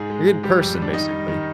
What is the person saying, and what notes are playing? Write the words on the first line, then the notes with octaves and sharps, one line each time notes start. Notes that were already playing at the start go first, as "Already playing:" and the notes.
A good person, basically.
Already playing: G#2 G#4
G#3
G#2
G3 G4
F2
G3 D4
D#3 D#4
G3
D#3